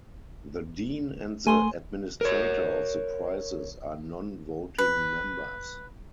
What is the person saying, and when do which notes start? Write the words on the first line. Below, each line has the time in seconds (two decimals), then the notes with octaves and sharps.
The dean and the administrator of the prizes are non-voting members.
1.47 A3 G#5 C6 D#6
2.21 A#4 C#5
4.78 B4